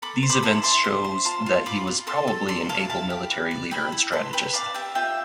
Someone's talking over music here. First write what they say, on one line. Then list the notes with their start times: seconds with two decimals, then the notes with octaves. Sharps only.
These events shows that he was probably an able military leader and strategist.
0.02 A4 B5 D6
0.23 C5
0.30 B5 D6
0.43 E4 A5 C6
0.63 E4 A5 C6
0.84 C5
1.05 C5
1.25 F4 A5 C6
1.46 F4
1.66 F4 B5 D6
1.87 F4
2.07 A4 A5 C6
2.28 A4
2.48 D5 A5 C6
2.69 E4 F5 A5
2.90 E4 F5 A5
3.10 G4
3.31 B4
3.51 D5
3.71 E4 G5 B5
3.92 E4
4.12 B4 A5 C6
4.33 B4 G5 B5
4.54 D5 F5 A5
4.74 G4 E5 G5
4.95 F4 E5 G5